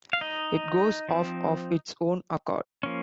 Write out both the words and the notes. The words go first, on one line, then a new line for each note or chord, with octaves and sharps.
It goes off of its own accord.
F5
D#4 D#5
F3 C4
F3 A#3 C#4